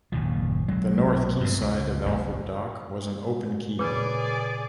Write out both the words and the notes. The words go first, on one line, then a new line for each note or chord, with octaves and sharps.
The north quayside of Alfred Dock was an open quay.
F#1 D#2 A#2 F3
B1 F#3 G#3
G2 C#3
C#2
F#1 B1 G#2
A#2 C#3 G#4 B4 D5